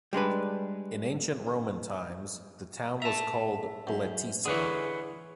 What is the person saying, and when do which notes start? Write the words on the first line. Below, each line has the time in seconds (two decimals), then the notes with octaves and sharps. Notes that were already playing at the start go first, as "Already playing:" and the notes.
In ancient Roman times, the town was called "Bletisa".
0.13 G3 G#3 D4 B4
3.02 E5 A5 A#5
3.87 F#2
4.45 D3 E3 G#4 B4 C#5